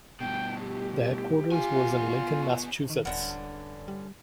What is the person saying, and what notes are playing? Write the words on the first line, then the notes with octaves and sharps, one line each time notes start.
The headquarters was in Lincoln, Massachusetts.
G2 B2 G5
G4
B3 F4 G#5
D#3
D#1 G2 D3 C#4 F#5
G3